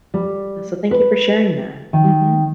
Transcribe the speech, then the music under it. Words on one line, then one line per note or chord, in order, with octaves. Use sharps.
Uh, so thank you for sharing that, mhm.
G3
B4
D#3